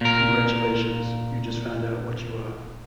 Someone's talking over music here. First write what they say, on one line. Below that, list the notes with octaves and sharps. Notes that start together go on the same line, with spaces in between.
Congratulations, you just found out what you are.
A#2 A#4